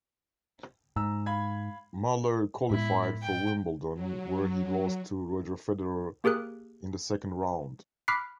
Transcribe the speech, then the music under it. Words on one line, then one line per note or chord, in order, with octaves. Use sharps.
Muller qualified for Wimbledon where he lost to Roger Federer in the second round.
G#2 A#5 E6
F5 B5 G#6
A2 G#3 B3 E4
G5
F#3
A#3 G4 G#4 A#4 F#6
B5 D6 F6 F#6 B6 C7